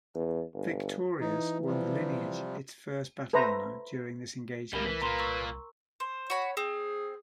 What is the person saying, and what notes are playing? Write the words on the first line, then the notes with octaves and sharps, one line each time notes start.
"Victorious" won the lineage its first battle honour during this engagement.
E2
G1
E3 D#4
C3 F3 G3
A4 B4 C5 E5 A#5
C2 F#2 G3 A#3 A#4 B5 G7
E3 B4
A#2 A#3 A#5 C6
C#6 E6
C5
F#4 C#5 B5
C4 G#4